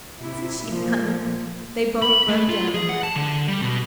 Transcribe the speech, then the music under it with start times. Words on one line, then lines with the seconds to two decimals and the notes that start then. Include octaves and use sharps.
"Isn't she funny?" They both broke down and laughed.
0.19 C3 E4
0.63 A#2 F3
2.02 B5
2.28 A3
2.49 F4
2.74 G#4
2.89 F#5
3.03 A5
3.16 D3
3.48 G3
3.61 B2